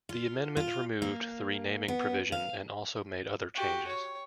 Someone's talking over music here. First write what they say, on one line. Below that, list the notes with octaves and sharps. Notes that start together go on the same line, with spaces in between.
The amendment removed the renaming provision and also made other changes.
F4
F4
A#3
B3
F5
F#4 G4
C#5